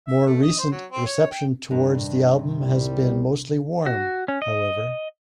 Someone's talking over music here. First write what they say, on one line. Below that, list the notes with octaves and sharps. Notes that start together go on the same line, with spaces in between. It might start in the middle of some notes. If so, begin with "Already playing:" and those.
More recent reception towards the album has been mostly warm, however.
E5
A3
D#5
C5
F#3
C4
C#5
G5
G2 C3 D#3 D4
C2 G3
F#4
C#4
D#5